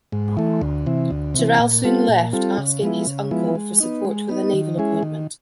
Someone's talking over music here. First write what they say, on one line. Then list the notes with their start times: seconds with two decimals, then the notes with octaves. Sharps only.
Tyrrell soon left, asking his uncle for support with a naval appointment.
0.12 G#2
0.37 E3 A3
0.61 D2
0.86 C3 E3
1.11 D2
1.34 C3 E3
1.60 A#2
1.84 G3 C4 F4 A4
2.09 A#2
2.33 G3 C4 F4 A4
2.58 C#3
2.82 F3 G#3 B3 E4
3.07 C#3
3.31 F3 G#3 B3 E4
3.55 G#3
3.80 B3 D#4
4.05 G#3
4.29 B3 D#4
4.53 D#3
4.78 G#3 C#4 E4 G#4
5.03 D#3